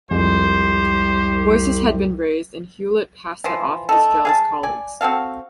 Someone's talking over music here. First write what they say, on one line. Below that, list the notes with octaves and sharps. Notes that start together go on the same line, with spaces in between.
Voices had been raised and Hewlett passed that off as jealous colleagues.
C2 F2 G#3 G4 C5
E3 F3 C5
A3 D#4 A4
G#4 F5 A5
D5 G#5
C4 F#4 A4 F5